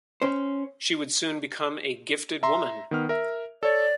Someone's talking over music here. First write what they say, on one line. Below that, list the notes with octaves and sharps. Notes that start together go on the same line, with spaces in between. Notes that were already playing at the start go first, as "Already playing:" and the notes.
She would soon become a gifted woman.
C#4 C5
E5 A#5 C6
D#3 B3 F6
A#4 E5
A4 C#5 D5